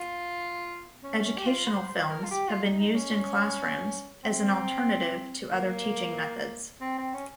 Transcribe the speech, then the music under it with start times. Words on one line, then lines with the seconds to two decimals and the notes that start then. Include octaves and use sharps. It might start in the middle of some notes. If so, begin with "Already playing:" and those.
Educational films have been used in classrooms as an alternative to other teaching methods.
Already playing: F4
1.03 C#4
1.25 C#4
1.37 G4
1.46 F4
1.68 C5
1.89 C5
2.10 A#4
2.24 F4
2.31 G4
2.48 F4
2.63 D#4
2.80 D#4
2.95 C#4
4.24 C4
5.52 A#3
6.81 C4
6.98 C4
7.14 C#4